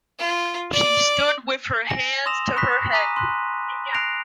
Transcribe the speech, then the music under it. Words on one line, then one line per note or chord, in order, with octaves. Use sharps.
She stood with her hands to her head.
F4
D5
G#5 A#6
C6 D#6 E6 A#6 E7 F7
B5 C#6 D#6 F#6 A#6 B6
G#5 A#5 D6 D#6 B6 D#7
C6 F#6
F#6 A#6 C7 D7 F7